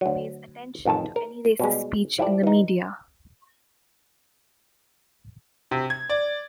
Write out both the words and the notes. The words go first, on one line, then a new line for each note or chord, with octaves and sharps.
It pays attention to any racist speech in the media.
D2 F#3
A1 F2 D#3 A4 A5
A#4
B2 G3 G#3
F3 E4 G4 A4 D5
E3 D#4
C3
G#6
D5